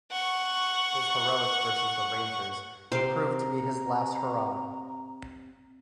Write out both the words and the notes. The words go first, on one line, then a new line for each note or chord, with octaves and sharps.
His heroics versus the Rangers would prove to be his last hurrah.
F#5 C#6
C3 G4 C5 F5 A#5